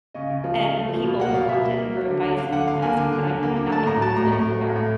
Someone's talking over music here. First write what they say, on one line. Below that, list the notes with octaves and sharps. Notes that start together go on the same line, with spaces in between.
and people will come to him for advice, and they'll ask me, "But I have nothing to live for,"
C#3 D#5
C#3
F3
C#3
A3
F3
B2
A#3 F#5
B2 F5
B2 E5
A#3
A#3
F#3
D3
D3
D3 F5
D3 F#5
D3 F5
A#3 G#5
D3
D3
D3
A#3
D3
A3 A5
A2 A#5
F#3 A5
A2 A#5
A2
F#3
A2
A2